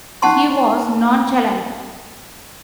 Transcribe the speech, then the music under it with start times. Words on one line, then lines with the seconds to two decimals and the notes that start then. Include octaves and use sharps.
He was nonchalant.
0.22 C#4 D#4 F#5 A5 C6 C#6